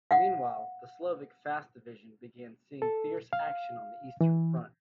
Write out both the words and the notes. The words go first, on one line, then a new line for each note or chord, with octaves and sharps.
Meanwhile, the Slovak Fast Division began seeing fierce action on the Eastern Front.
F5 F#5
A4
F5
E3